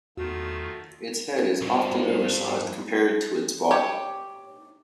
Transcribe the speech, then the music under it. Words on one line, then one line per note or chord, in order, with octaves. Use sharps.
Its head is often oversized compared to its body.
E2 D#3 A3 F4 F#4
C#2 G2 F3
G4 C#5